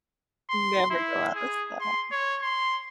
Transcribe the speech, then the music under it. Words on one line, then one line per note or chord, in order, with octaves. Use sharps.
Never go out of style.
C6
E4
G#4
C6
C#5
C6